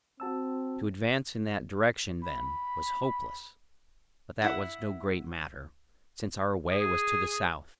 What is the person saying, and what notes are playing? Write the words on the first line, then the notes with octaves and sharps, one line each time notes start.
To advance in that direction, then, was hopeless, but that was no great matter, since our way was to the south.
C4 F#4 A5 E6
B5
E4 F#5
G#4